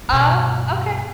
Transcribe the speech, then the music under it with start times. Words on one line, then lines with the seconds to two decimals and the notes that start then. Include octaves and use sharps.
Oh, okay.
0.08 G2 B2